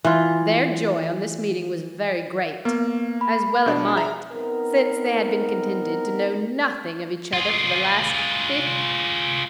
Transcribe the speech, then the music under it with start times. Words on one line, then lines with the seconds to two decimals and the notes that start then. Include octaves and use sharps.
Their joy on this meeting was very great, as well it might, since they had been contented to know nothing of each other for the last fifteen years.
0.04 E3 F4
2.65 A#3 B3
3.21 B5
3.66 B2 D4
3.96 G#4 E5 A#5
4.31 B3 C4 D#4 A#4
7.33 F4 G#4